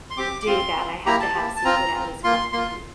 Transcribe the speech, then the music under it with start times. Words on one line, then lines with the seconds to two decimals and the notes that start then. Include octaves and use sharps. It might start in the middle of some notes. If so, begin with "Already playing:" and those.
do that, I have to have seafood at least once a week.
0.10 C6
0.17 C4 G4 D6
0.43 D6
0.47 C4 F4 C6
0.76 C4 F4
1.06 A#3 E4 G4 A#5
1.20 A5
1.35 A#3 E4 G4
1.56 A5
1.64 C4 F4 A#5
1.94 C4 F4
2.24 A#3 F4 C6
2.53 A#3 F4 C6